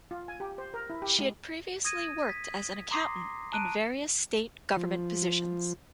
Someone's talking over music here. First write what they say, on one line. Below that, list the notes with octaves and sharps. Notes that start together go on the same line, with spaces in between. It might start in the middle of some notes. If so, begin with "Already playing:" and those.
She had previously worked as an accountant in various state government positions.
F4
G#5
G4
C5
A#4
E4
G4
G#3
D#6 G#6 A#6 D#7
B6
A#5 C6 D6 D#6 A#6 C7
A5 A#5 F#6 D7 D#7
F3